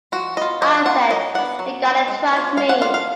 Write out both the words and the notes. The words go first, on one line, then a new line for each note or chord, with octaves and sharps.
I said, You gotta trust me.
F3 F#4
B3 F4 D#5
F3 D#5
B3 F4 F#5
F#3 D#5
B3 D4 F#5
F#3
B3 D4
G#3
D4 F4
G#3 F5
F#5
D4 F4 F5
F5